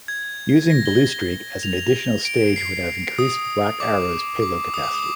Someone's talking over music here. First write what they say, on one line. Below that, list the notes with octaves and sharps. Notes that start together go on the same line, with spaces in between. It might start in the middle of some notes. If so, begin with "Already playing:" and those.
Using Blue Streak as an additional stage would have increased Black Arrow's payload capacity.
G#6
A#6
G7
F7
D7
C7
D#6
D6
D6
D#6
D6
D#6